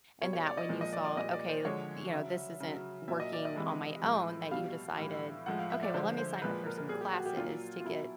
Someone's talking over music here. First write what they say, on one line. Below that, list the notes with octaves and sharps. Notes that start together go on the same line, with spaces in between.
and that when you saw, "Okay," you know, "this isn't working on my own," that you decided, "Okay, well, let me sign up for some classes to get
B2 G3 C#5
C#5
D5
D#5
A#2 F3 G#3
D#5
D5
D5
A#2 G3 D#5
D5
C5
D3 F3 G#3 C#5
C#3 F#3 E5
C#3 F#3
A#2 F#3 E5
D#5
D5
D#5
C3 E3 G#3
A2 F3 G#3
B2 G3 F5
A2 E3 G3
A2 F3 G#3 F#5
F5
E5
D5
D3 F3 G#3 C5
C5
A#2 F3 G#3 B4
A#4
A#4
A#2 G3 G#4
G4
F#4
G4
A#2 F#3 F4
F4
B2 F#3 E4